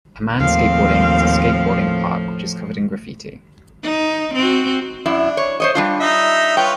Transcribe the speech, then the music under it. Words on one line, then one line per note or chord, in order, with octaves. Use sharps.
A man skateboarding at a skateboarding park which is covered in graffiti.
D#2 A2 F3 C4 F5
D#4
C4 F#4
F#2 D4 E4
C#5
C5 C#5 D#5
G3 D4 F4
D#4 E5
F4 B4 C#5 G5